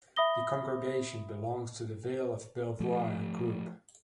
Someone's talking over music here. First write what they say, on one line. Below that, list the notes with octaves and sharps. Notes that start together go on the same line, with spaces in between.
The congregation belongs to the Vale of Belvoir group.
E5 B5 D#6 A#6 G7
F3 A3